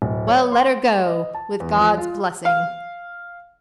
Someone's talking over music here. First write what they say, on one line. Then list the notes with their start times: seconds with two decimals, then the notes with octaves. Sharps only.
"Well, let her go, with God's blessing!"
0.02 D1
0.27 C#5
0.52 C6
1.06 D#5
1.34 A5
1.60 E2
1.77 F3
1.98 F4
2.45 F5